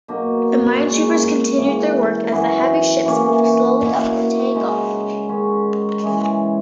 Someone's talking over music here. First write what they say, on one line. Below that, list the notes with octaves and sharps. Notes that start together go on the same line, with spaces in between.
The minesweepers continued their work as the heavy ships moved slowly up Leyte Gulf.
B2 F#3 A#3 D#4
A#2 G#3 C#4
G#2 E3 A#3
F#2 E3 B3 E4
E3 A#3 C#4
B2 A#3 E4
C#3 G#3 B3 D#4
D#3 G#3 C#4
C#3 E3 G#3